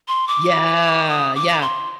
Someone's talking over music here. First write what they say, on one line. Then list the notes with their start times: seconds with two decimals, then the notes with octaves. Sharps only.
Yeah, yeah.
0.08 C6
0.28 D6
1.09 D#6
1.35 D6
1.62 C6